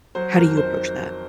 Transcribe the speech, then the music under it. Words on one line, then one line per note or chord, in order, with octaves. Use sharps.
how do you approach that?
F#3 C5
F2 A#4
D#3 C5